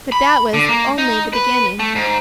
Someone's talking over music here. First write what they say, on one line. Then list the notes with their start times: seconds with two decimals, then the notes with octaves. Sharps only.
But that was only the beginning.
0.12 B5
0.54 D3
0.68 A#3
0.98 D#4
1.33 B4
1.79 A3
1.95 G#2